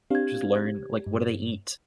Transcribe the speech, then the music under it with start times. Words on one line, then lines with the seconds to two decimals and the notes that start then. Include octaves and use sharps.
Just learn, like, what do they eat?
0.10 C4 D4 G4 F5 G#6
1.06 G2